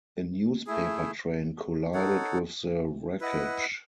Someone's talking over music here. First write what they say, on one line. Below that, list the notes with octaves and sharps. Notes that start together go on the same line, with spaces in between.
A newspaper train collided with the wreckage.
A3 E4 G#4
D#4 A4 C#5 F#5
E4 B4 D#5 F#5